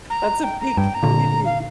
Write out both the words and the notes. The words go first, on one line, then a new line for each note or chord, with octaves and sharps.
That's a big commitment.
A#5
G5
A#5
G2 G5
A#5
A#2 D3
F5